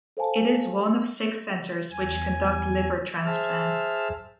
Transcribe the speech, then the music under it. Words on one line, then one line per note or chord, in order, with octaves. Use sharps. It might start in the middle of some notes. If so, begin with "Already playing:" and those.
It is one of six centres which conduct liver transplants.
A4 C5 F5 G#5 A5
E2 G#5
G#4 C5 E5 A5 E6 F6